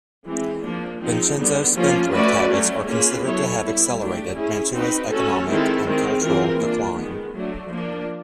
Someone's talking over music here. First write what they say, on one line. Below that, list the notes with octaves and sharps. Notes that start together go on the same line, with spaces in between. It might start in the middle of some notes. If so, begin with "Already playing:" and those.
Vincenzo's spendthrift habits are considered to have accelerated Mantua's economic and cultural decline.
E3 G#3 C4
F3 A#3 D4
F3 G#3 C4 D#4
D3 G3 B3
F3 A#3 C#4 F4
A3 C#4 F#4 B4 D5
F#3 A3 C#4
A#3 C#4 F4 G#4 B4
F#3 B3 E4 A4 C#5
G3 B3 E4
A3 D4 G4
C#4 E4 G#4
C4 D#4 F#4 B4
A3 C#4 F#4 A4
D#3 G#3 C4 E4 A4
D#3 G#3 C4
E3 G#3 C4 F4 A#4
A#3 D4 F4
D#3 G#3 B3
F#3 A3 D4
F3 A#3 D4